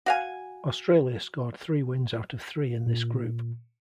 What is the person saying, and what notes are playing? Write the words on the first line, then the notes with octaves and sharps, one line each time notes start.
Australia scored three wins out of three in this group.
F#4 F5 G#5
A#2